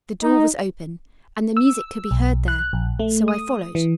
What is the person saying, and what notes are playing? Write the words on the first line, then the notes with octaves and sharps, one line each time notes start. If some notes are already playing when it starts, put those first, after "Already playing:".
The door was open and the music could be heard there, so I followed.
D#4
E6
B1
F#6
A#1
A3
D#6
E3